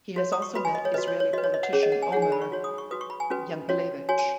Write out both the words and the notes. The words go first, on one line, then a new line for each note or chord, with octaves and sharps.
He has also met Israeli Politician Omer Yankelevich.
F#4 C#5
D#6
C#6
F#4 B4 B5
G#5
D#5
C#5
F#4 B4 D#5
C#5
C#5
F#4 B4 D#5
C#5
D#5
F#5
C#4 G#4 C#5
D#5
F#5
G#5
D#4 G#4 C#5 F#5
G#5
B5
C#6
F#4 C#5
D#6
C#6
F#4 B4 D#6
C#6
B5
G#5
C#4 F#4 B4
C#4 F#4 C#5
F#4 C#5 G#5
G#5